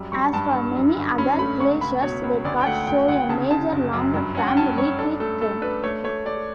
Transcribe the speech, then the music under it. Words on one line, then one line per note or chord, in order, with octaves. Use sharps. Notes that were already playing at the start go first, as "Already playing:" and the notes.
As for many other glaciers, records show a major longer-term retreat trend.
Already playing: F#2 G3
G3 C#6
G2 A5
G2
F#2
D3
C#4 B5
A3 B5
C#2 C#6
C#2 B5
B2 C#5
C#2
D2 D5
G5
A3 F#5
D2 G5
D2 F#5
G5
C#3 A5
C#3 A5
F#1
F#2
G2
C#4 F#5
G5
C#4 A5
G2 C#5
D4 A4
A3 A4
A3 A4
D4 B4
A3 C#5
A3 C#5
A3 D5